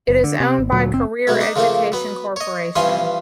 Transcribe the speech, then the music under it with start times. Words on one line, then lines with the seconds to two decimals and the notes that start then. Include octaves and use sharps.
It is owned by Career Education Corporation.
0.08 F#1
0.24 D3
0.40 C3
0.59 G#1
0.72 D2 A#2 F#3
0.92 F#1 C4
1.27 G#2 B2 F#3 A3
1.40 D4 D#4
1.56 C#3 F3 A3 A#3
1.92 F#3 B3
2.36 C#5 D#5
2.76 G2 E3 F3 C#4 G#5 C6